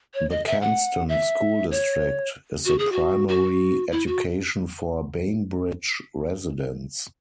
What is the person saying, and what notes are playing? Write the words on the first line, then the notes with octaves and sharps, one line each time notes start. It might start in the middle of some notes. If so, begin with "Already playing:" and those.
The Kenston School District is the primary education for Bainbridge residents.
C#5
D#5
E5
F#5
E5
C#5
F#4
G#4
F#4
F#4
E4
F#4